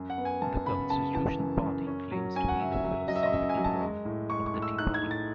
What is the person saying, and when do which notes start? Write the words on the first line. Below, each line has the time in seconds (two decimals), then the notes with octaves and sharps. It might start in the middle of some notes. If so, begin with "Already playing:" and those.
The Constitution Party claims to be the "philosophical home" of the Tea Party.
Already playing: F#2
0.10 F#5
0.18 B3
0.25 G#5
0.42 F#2 A5
0.65 C#3 B5
0.90 C#3 A5
1.14 E3 A5
1.39 F#2
1.62 F#2
1.87 C#4
2.12 F#3
2.35 C#4 G#5
2.48 F#5
2.60 C#3 E5
2.72 E5
2.84 F#3 E5
3.08 F#3 D#5
3.16 E5
3.23 D#5
3.32 F#2 E5
3.49 G#5
3.57 F#3
3.64 A5
3.81 G#3
4.05 A2
4.30 G#3 C#6
4.46 C#6
4.54 A2
4.62 E6
4.78 D#4 F#6
4.94 G#6
5.02 A2
5.11 A6